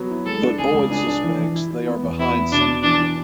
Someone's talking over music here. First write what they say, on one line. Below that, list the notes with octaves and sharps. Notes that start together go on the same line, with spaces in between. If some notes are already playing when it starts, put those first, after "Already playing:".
But Boyd suspects they are behind something.
Already playing: F#3 B3
E4
G#3 A4
D4
C#2 G#4
C#2
D4 G#4
D4
E3
E3
E4
E4
B3
E2
B3 E4
E4
B2 D4
B2
E3 D4
D4